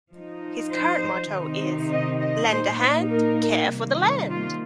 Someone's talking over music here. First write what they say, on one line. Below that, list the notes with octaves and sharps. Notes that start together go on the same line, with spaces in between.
His current motto is Lend a hand - care for the land!
F3 D#4
C5
C3 D#3 C4 D#4
D#5
D#5
A#2 A#3 D#4 C5
A#4
C3 D#3 G3 A#3
F4